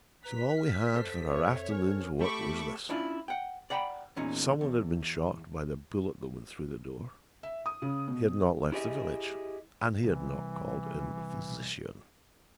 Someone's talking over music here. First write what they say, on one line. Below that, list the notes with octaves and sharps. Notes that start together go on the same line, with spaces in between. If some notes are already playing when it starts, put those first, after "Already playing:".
So all we had for our afternoon's work was this: some one had been shot by the bullet that went through the door; he had not left the village, and he had not called in a physician.
B4 A#5 B6
F6
A4 C5
F2 C#5 E5
C#4 A#4
A3 G4 A4 A5 B5 C#6 D6
C#4 D4 E4 F4
F#5 G5
D5 F#5 G5 A#5 B5
E2 A#2 C#4 D#4
E2
E5
D#6
C#3
B2
E4 G4 G#4 B4 D#5 E5
C2 E3